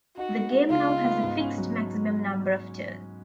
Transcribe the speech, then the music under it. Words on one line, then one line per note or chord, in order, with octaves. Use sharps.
The game now has a fixed maximum number of turns.
D#4 F#4
B3
G#3
C#3 F4
D#4
B3
G#2
C#4
F#3